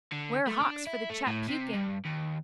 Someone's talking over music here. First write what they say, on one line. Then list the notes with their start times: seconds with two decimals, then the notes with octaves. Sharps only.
Ware hawks for the chap puking.
0.13 D3
0.47 A3
0.61 D4
0.87 E4
1.09 A3
1.27 A2
1.49 C3
1.73 G2
2.05 D#2